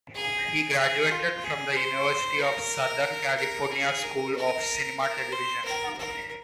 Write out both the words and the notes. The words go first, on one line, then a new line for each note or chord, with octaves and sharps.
He graduated from the University of Southern California's School of Cinema-Television.
G#4
G#4
F4
G#4
C5
A#4
A#4
G#4
A#4
A#4
A#4
C5
A#4
A#4